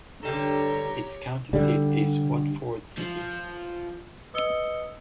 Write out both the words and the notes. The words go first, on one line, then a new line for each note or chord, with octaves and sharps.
Its county seat is Watford City.
G2 D3 G3 G4 A4 C#5 A#5
D3 G3
F3
B4 D#5 D#6 E6 C#7 G7